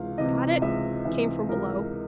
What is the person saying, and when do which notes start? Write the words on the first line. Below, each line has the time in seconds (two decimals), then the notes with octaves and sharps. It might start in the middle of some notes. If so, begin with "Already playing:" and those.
"Got it?" came from below.
Already playing: C#2 C3 E3 F5
0.18 C3 E3 D#5
0.62 C#2 E5
1.05 C3 E3 E5
1.49 C#2 A#4